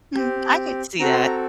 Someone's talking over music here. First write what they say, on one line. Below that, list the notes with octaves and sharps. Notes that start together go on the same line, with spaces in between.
Mm, I could see that.
C4 G4
C4 F#4 A4 A#5
C6
A#5